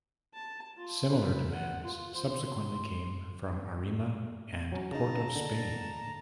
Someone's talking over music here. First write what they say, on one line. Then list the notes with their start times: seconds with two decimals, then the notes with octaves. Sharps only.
Similar demands subsequently came from Arima and Port of Spain.
0.34 A5
0.77 F4
1.10 B4
1.52 F#5
1.83 F4
2.14 C5
2.45 C6
4.72 F#3 C#4 A#5
4.91 C#3 D#4 A5 A#5
5.36 D3